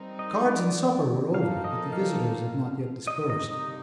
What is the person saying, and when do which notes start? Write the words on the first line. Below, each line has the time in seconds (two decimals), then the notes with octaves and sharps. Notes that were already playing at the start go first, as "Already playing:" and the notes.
Cards and supper were over, but the visitors had not yet dispersed.
Already playing: G3 C4 D#4 A#4
0.19 D#5
0.48 D5
1.34 F3 A#3 D#4 A4 F5
1.64 D#5
1.93 F5
3.07 C3 G3 A#3 D#4 D#5
3.30 D#5
3.51 D#5